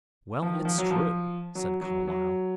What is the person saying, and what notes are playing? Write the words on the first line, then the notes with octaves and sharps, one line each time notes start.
"Well, it's true," said Carlyle.
F3
D#3
F3
F#3
F3
F#3
F#3
F#3